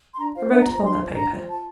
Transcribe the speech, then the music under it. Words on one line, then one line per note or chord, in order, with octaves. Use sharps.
"And wrote upon that paper."
C6
D4 A#5
F4 C5 F5
D4 E5
A#5
F4
C5 A#5
D4 C6
F4 C5
D4 A#5
F4 C5
F4 A5